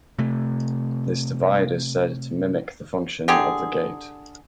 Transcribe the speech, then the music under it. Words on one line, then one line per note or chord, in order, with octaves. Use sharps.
This divide is said to mimic the function of the gate.
C3 A3
D3 G4 G#4